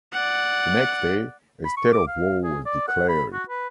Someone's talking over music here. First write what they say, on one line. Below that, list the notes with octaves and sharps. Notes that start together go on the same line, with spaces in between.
The next day, a state of war was declared.
D5 F#5
B5
C#6
D6
F5
G#4
D5
F#5
B5
F#4
B4